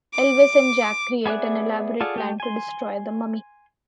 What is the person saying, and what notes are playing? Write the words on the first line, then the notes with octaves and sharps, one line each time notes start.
Elvis and Jack create an elaborate plan to destroy the mummy.
D6
B3 G#4 D5 E5 F#6
F4 G#4 A4 D5 F#5
A3 G4
G#5 C6